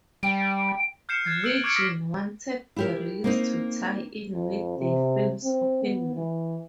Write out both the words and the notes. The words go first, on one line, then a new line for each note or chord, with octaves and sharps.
Virgin wanted the release to tie in with the film's opening.
G3 G5
F6 G6 C7 C#7 E7
F#6 G#6 A6 C7
E6 G6 C#7 D7 F#7
C#6 D6 F6 G#6 C#7 D7
D6 E6 F6 A#6 B6
E4 G4 A#4
A#3 C4 D#4
F2
C3
C4
B3
E3